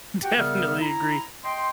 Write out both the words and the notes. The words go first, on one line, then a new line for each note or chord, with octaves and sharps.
definitely agree.
F#4 G4 F#5 G5
C#3 G3 B3 A#4 E5 F6
E4 A#5
D#5 G5 C6